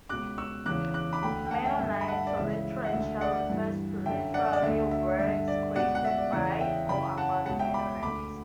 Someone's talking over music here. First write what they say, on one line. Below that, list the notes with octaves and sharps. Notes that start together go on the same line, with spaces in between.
Mennonite literature refers to literary works created by or about Mennonites.
C#2 B2 D6 F#6
C#6 E6
E2 C#3 E3 D6 F#6
D6 F#6
B5 D6
D2 D3 G5 B5
G5
F#5 A5
E5 G5
G2 E5 G5
D3
B5
F#5 A5
E5
D5
C#2 C#3 E3 E5
F#5
D2 D3 E5
D5 F#5
G2 E3
F#2 D3 E5 G5
D5 F#5
D5
D2 D3 E5
E5
G2 D3 E5
D5
C#2 B2 D5 F#5
F#5
E5
D5
E2 C#3 E3 D5 F#5
E5 G5
F#2 C#3 E3 G5 B5
F#5 A5
C#2 B2 F#5 A5
E5 G5
B5 D6
D2 D3 B5 D6